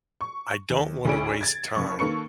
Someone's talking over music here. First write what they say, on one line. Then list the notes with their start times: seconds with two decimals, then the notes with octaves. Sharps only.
"I don't want to waste time,"
0.21 C#6
0.70 D#2
1.05 D2 A2 C#4 G#4 D5 D7
1.41 G#6 A6
1.75 F#1 F#2 C#6
1.99 D#3 A#3 A4 B4 C#6 C#7